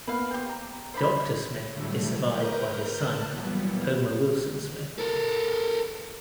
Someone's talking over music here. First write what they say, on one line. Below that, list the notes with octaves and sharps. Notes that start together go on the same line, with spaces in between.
Doctor Smith is survived by his son, Homer Wilson Smith.
A#3 B3 B4 F5
C4 G4
A#5
C5 D5 B5
A2 D3 F#3 G3 A3
A#4 B4 A#5 G6
A5 F#6
A#2 E3 F#3 G3 B3
A4 A#4